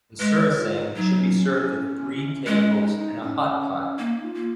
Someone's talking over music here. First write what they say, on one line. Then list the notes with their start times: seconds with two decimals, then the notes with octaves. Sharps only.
The "surasang" should be served with three tables and a hotpot.
0.19 G#3 B4
0.38 C#5
0.57 F4
0.76 D#4
0.95 F#3 D#4
1.20 C#4
1.46 C#4
2.47 G#3 C#4
2.72 D#4
2.97 D#4
3.22 C#4
3.60 C#4
3.98 A#3 D#4
4.24 F4
4.36 A#3